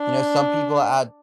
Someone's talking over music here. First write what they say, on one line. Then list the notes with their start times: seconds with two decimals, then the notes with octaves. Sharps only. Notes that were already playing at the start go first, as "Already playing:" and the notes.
you know, some people add
Already playing: D4